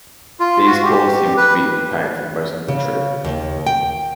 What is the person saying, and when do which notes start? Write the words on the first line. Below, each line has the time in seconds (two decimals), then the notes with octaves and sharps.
These caused him to be in pain for most of the trip.
0.40 F4
0.66 F#4
0.85 G4
1.37 B4
2.68 C#3
3.25 D#2
3.67 G5